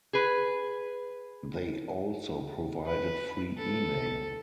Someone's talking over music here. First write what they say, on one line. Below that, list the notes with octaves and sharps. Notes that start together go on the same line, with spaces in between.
They also provided free email.
G#4 B4
B4
A4